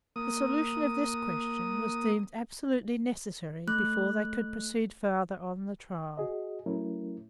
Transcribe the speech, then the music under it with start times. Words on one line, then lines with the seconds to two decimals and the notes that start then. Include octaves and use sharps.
The solution of this question was deemed absolutely necessary before they could proceed farther on the trial.
0.16 A#3 D#6
3.67 A3 F#6
6.17 F#4 G#4 D#5
6.66 F#3 A3 C#4 E4 A#4